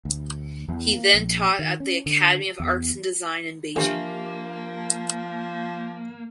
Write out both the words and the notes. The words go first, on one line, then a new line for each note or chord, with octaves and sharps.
He then taught at the Academy of Arts and Design in Beijing.
D2
E2
A#3
A#1
D#3
C#4
D3
E2
D3 E3 F3 A#3 D4 G4 E5